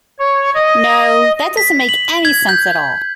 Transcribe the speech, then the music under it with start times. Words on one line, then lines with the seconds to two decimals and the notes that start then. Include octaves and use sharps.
No, that doesn't make any sense at all.
0.19 C#5
0.55 D#5
1.57 B6
1.89 F#7
2.25 G#6
2.49 G6